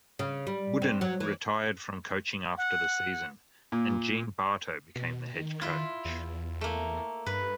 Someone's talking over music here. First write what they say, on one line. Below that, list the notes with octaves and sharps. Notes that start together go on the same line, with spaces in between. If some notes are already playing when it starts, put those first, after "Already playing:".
Wooden retired from coaching after the season, and Gene Bartow became the head coach.
C#3
G3
C4
F#3
E3
F#5
A#2
B2
D#3
E4 F4
E2
A3 A#3
G2 B4